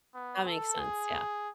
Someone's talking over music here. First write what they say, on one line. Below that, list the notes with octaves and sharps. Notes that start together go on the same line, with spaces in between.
That makes sense, yeah.
B3
A4
G#4